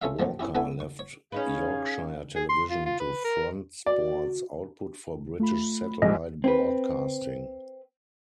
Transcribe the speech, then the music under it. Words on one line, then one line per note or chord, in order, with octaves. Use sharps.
Walker left Yorkshire Television to front sports output for British Satellite Broadcasting.
C#4 F4 A4 C#5 E5 F5
A1 A#2 D#3 F3 A5
C#4 E4 G4
B3 E4 A4 E5 F#5 G#5
C#6
C#5
C#4 D#4 G#4 B4 F5
G#4
C6
F4
F4
B4
A#4
F#4 D5
A3 F4 B5
A#1 G#2 G3 D#5
C4 B4